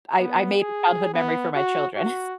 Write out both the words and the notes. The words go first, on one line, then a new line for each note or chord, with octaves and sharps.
I I made a childhood memory for my children.
B3
G#4
B3
F#4
F#4